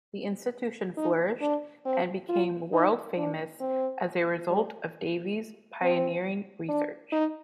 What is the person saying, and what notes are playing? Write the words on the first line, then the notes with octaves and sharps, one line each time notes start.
The institution flourished and became world-famous as a result of Davy's pioneering research.
D#4
D4
C4
F4
D#4
D4
C4
G3
C4
D4
D#4